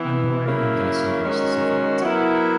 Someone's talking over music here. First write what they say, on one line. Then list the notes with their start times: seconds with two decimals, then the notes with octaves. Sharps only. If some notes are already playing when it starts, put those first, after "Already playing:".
A memorial in Guise celebrates this event.
Already playing: E3 B3 E4
0.45 C#3 F#3 A#3 E4
1.23 D#3 G#3 C#4 F#4 A#4
2.01 F#3 B3 E4 A#4